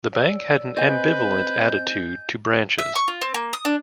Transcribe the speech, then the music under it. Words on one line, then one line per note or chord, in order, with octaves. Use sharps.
The Bank had an ambivalent attitude to branches.
C#5 D5 E6
C4 B4 C5 D#5 G#5 G6
E5
C#6
F4
C4
A#3
D#6
D4